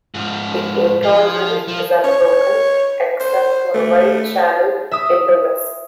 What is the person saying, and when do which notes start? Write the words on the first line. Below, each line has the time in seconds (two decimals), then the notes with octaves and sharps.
The atoll reef is unbroken except for a wide channel in the west.
0.14 G#2 F3
1.03 F3
1.68 F3
2.04 C#5
3.20 C5
3.74 A3
4.91 E5 D#6